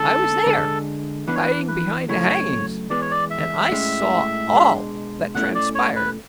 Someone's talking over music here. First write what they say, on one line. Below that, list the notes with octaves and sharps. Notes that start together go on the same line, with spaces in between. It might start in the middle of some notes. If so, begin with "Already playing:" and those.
I was there, hiding behind the hangings, and I saw all that transpired.
Already playing: D3 G#3 C#4 E4 A4
D3 G#3 D4
E3 B3 D4 B4
C#5
B4
B4
C#3 F#3 A3 E4 C#5
E3 G#3 B3 D5
C#5
D5
E5
A2 G#3 C#4
B2 G#3 D4
B2 A3 C#4 E4 F#5
D5
C#5
B4